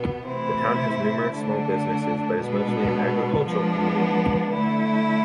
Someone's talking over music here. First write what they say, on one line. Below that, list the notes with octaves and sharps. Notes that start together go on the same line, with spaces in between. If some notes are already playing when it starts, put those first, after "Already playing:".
The town has numerous small businesses but is mostly an agricultural community.
Already playing: B2 B3
C3 E3 A3 C4 E4
D3 A3 D4
B2 G#3 B3 D4
F3 G#3 B3 D4
D3 A3 E4